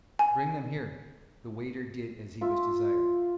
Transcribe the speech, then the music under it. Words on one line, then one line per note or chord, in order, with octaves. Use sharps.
"Bring them here." The waiter did as he was desired.
G#5
F4 E5